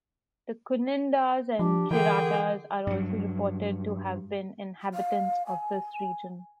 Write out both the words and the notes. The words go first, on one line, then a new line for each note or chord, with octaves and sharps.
The Kunindas and Kiratas are also reported to have been inhabitants of this region.
F3 D4 G4
D3 E3 G#4 A#4 G5
G2 F#3
F5
G#5